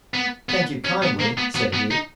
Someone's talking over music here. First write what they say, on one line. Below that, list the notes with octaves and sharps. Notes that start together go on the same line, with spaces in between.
'Thank you kindly', said he.
B3
B3
C#4
B3
A#3
B3
B3
B3
D#4